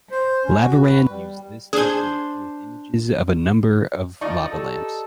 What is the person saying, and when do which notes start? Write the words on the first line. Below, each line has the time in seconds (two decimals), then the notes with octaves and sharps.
Lavarand used this technique with images of a number of lava lamps.
0.11 C5
0.45 C#4
0.62 F#4
0.82 B4
1.09 G3
1.73 D4 G#4 C5 G#6
4.21 D3 F3 D#4 D5 C#6
4.52 G4 A4